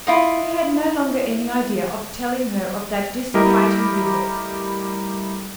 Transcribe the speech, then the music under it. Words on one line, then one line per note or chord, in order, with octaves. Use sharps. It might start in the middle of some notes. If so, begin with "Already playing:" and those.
He had no longer any idea of telling her of that disquieting visit.
E4 F4 D#5
G3 A3 E4 G4 A#4 D#5